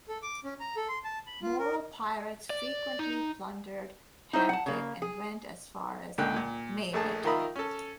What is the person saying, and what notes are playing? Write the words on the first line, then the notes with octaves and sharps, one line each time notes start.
Moro pirates frequently plundered Hamtic and went as far as Maybato.
A4
D6
C#4
A#5
A4
C6
A5
B5
F4
A#4
D5
D#4
D#4 E4 C5
F#5 A5
C#3 A#3
G#4
C#2 A#2 D3 G5 F#6
A#2
A#1 A3 G#4 A5
D#3 F4 A#4 E5 B5 D#6
C#4 A4